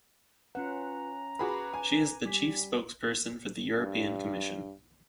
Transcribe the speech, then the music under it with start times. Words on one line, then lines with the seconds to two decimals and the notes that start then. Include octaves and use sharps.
She is the chief spokesperson for the European Commission.
0.55 C#4 F4 B4 F#5 A#5
1.39 F#4 G#4 B4 B5 D6
1.74 G#5
2.26 G3 D6 B6
3.78 G2